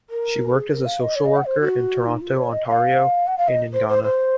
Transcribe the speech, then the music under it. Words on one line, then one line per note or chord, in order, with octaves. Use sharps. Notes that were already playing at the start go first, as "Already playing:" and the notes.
She worked as a social worker in Toronto, Ontario and in Ghana.
A#4
G#4
A#4
F5
D#5
C#5
D#5
F#5
C5
F#4
D#4
F4
C#5
D#5
F5
F#5
F5
D#5
C5
C5
C5